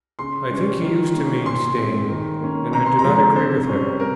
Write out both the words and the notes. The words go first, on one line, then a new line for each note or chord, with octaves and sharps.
I think he used to mean "stain," and I do not agree with him.
C#3 C6
G3 C#4
D#3
A#3 C#4
A#2 C6
G#3 C4
D#3
A#3 C#4
C3 A#5
C6
A#5
F3 G#3
C3 C5
G3 C#4
C3 A#4